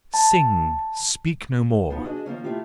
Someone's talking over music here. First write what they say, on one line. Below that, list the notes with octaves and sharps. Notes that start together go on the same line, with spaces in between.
Sing! speak no more!
A5
F3 B3 D#4 F#4
D4 F#4 G#4 D#5
D#3 F3 A#3 C#4
A3 E4 F4 G4